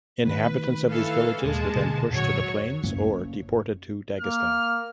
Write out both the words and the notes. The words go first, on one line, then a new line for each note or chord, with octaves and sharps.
Inhabitants of these villages were then pushed to the planes or deported to Dagestan.
D#3 A3 B4
E3 A4 F5
D#1 G#3 A#3 A5
B2 D3
F2 A#2 D3 F#3 C#5
F#1
A#3 F6